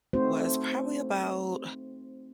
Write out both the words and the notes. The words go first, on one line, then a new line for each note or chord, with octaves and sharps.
was probably about
A3 C4 D#4 F#4 C5